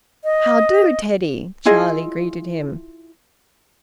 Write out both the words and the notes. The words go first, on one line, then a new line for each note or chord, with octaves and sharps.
"How do, Teddy?" Charlie greeted him.
D#5
E4 F4 G#4 D#5